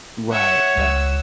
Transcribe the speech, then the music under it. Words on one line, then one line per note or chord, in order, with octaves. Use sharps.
Right, yeah.
C#5 E5 F#5
C#2 E6